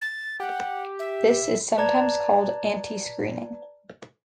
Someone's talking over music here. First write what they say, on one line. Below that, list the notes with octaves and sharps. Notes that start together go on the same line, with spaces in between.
This is sometimes called "antiscreening".
A6
G4 F#5
E5
B4 D5 A5 A#5 G#6